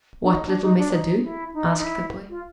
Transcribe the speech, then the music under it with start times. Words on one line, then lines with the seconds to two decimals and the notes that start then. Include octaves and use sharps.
"What little Missa do?" asked the boy.
0.22 D4
0.32 D#4
0.47 D4
0.62 D#4
0.78 D4
0.93 D#4
1.23 E4
1.54 D#4
1.78 D#4
1.84 E4
2.30 F4